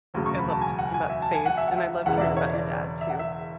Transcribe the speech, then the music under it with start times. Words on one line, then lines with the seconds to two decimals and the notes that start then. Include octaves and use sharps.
I love talking about space, and I loved hearing about your dad too.
0.14 E1 D2 C#3 F#3
0.26 C#6
0.38 B5
0.50 A5
0.61 G#5
0.79 F#5
0.94 G#5
1.10 E5
1.22 A5
1.34 G#5
1.46 F#5
1.57 E5
1.68 F#5
1.78 E5
2.06 E1 E2 C#3 F#5
2.17 D5
2.21 E5
2.37 C#5
2.53 D5
3.01 E5
3.10 F#5
3.19 E5